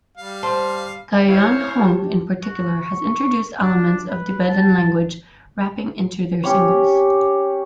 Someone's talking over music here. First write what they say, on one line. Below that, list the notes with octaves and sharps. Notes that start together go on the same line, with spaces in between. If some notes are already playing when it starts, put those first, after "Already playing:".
Gaoyuan Hong in particular has introduced elements of Tibetan language rapping into their singles.
G3 F5
C5 A5 C6
E4 C5 C#5 F5
G4 A5
F#4
C#6
D4
B4
A5
C#4 G4 C#5